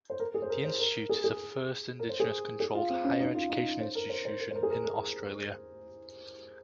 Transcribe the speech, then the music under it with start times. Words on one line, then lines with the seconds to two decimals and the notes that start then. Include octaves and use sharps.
The Institute is the first Indigenous-controlled higher education institution in Australia.
0.10 C5
0.20 A#4
0.34 G#4
0.42 C5
0.50 A#4
0.64 C5
0.79 A#4
1.09 G#4
1.24 G#4
1.99 A#4
2.09 C5
2.20 G#4
2.60 G#4
2.75 F4
2.90 C4
3.04 C#4
3.20 D#4
3.35 F4
3.50 D#4
3.80 C5
3.95 A#4
4.09 C5
4.25 C5
4.40 A#4
4.51 C5
4.55 A#4
4.63 G#4
4.70 A#4
4.85 A#4